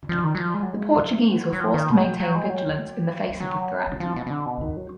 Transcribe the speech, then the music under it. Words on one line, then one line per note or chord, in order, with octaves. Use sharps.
The Portuguese were forced to maintain vigilance in the face of the threat.
F3
D#3
F#3
F3
G#3
F#3
G#3
F#3
F#3
F3
D#3
B2
G#3
F#3
F#3
G#3
F#3
F#3
F3
B2
B2
D3
B2
D#3
F#3